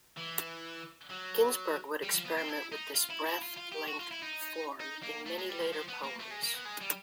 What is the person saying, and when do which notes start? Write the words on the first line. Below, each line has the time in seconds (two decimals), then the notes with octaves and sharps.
Ginsberg would experiment with this breath-length form in many later poems.
0.17 E3
1.10 F#3
2.03 G3
2.14 F3
2.25 B3
2.37 C4
2.48 E4
2.72 D#4
2.94 F4
3.10 E4
3.26 E4
3.42 F4
3.57 F4
3.72 G4
3.87 F#4
3.99 F4
4.11 E4
4.22 D#4
4.80 D#4
5.03 A#3
5.26 A3
5.38 G#3
5.49 G3
5.61 F3
5.73 F3
5.88 B3
6.03 A#3
6.19 A3
6.31 G#3
6.43 A#3
6.54 B3
6.65 G#3
6.81 G3